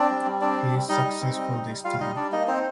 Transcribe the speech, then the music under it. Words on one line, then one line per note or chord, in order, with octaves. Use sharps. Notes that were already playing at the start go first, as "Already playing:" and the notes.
He is successful this time.
Already playing: C4 D4 D5
G3
G3
C4 D4 D5
G3
G3
G3 D#4 D#5
G3
C4
G3
D#4
G3
G3 F4 F5
G3 D#4 D#5
G3 D4 D5
A#3 D#4 D#5
C4 D#4 C5